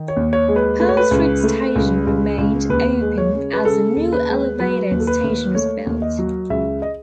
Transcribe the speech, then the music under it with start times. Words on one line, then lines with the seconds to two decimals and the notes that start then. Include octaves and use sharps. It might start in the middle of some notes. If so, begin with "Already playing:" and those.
Pearl Street Station remained open as the new elevated station was built.
Already playing: D#3
0.08 C#5
0.16 D#2
0.33 C#5
0.48 G#3
0.56 B4
0.80 A3 B4
0.89 C#5
0.97 B4
1.11 C#2
1.43 A3
1.76 C#2
2.07 C#2
2.38 C#2
2.69 D#2 B4
3.01 G#3
3.18 C#5
3.34 C#3
3.53 B4
3.65 C#3 A4
3.96 D#2
4.13 B4
4.29 G#3
4.60 F#3 B4
4.91 D#2
5.00 A4
5.07 B4
5.24 D#2
5.55 A3 C#5
5.87 D#2
6.02 D#5
6.19 F#3
6.50 C#2 E5
6.82 D#5